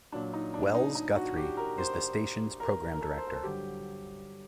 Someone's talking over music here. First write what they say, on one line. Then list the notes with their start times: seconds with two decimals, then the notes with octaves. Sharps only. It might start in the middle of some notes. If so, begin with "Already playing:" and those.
Wells Guthrie is the station's program director.
0.12 A#2 F#3 D4
0.33 D#4
0.54 D4
0.74 D#4
0.95 D#4
1.16 F#4
1.36 G4
1.57 A#4
1.78 C5
2.60 A#4
2.94 A#4
3.01 A4
3.18 C5
3.27 A#4
3.35 A4
3.43 G2 D3 F#3 G4